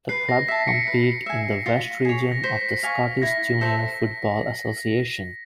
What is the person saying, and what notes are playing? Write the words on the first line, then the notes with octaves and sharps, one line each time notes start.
The club compete in the West Region of the Scottish Junior Football Association.
B4 C7
A#6
E5 A5 B6
C#7
B4 C7
E5 G#5
F4
G#4 C#5
A#6
C5 B6
F5 G#5 C#6
E4 A#6
A4 C5 E5